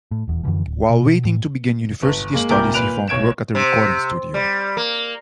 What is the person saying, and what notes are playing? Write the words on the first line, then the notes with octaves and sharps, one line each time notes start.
While waiting to begin university studies he found work at a recording studio.
A2
D#1 E2
F#2 D3 E3 F3
D1
B2
A2
G1
G#3 A#3 F#7
C2 A#2 G4 A#4 D6 G6
A#2 B4 F#6 D7 F7
B1 C#5 G#6 D7 E7
C3
G3
A#3